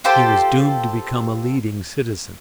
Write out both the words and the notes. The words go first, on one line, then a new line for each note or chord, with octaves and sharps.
He was doomed to become a leading citizen.
F4 G4 A4 C5